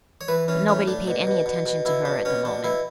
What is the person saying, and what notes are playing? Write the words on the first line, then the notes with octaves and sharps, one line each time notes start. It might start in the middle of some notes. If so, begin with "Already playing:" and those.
But nobody paid any attention to her at the moment.
C#5
E3 B4
E3 C#4
A2 C#4
A2 D4
B2
B2
B2
B2
B2 E4
B2 D4
B2 C#4
B2 D4
B2 E4